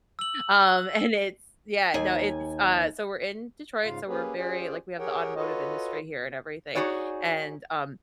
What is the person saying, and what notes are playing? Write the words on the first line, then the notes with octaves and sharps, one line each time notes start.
um, and it's yeah, no, it's, uh, so we're in Detroit, so we're very like, we have the automotive industry here and everything, and, um,
E6 F#7
D#2 G#5
G#2 C#3 F4 F5
A#3 C#4 G4 G#4 B4
C#4 F4 G4 G#4 C5 D5
G4 G#4 A#4 C#5 F#5 G5
F4 F#4 A4 B4 C#5 D#5
D#4 E4 F#4 G#4 C#5 D5